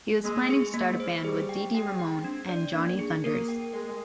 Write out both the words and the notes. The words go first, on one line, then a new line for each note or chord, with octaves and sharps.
He was planning to start a band with Dee Dee Ramone and Johnny Thunders.
G#3 A#3
G#4
A#3
C5
G3 G#4
G5
G#3 G5
G5
C4 D4
D5
A#3 D4
G#4
A#3 A#4
G5
G#3 A#4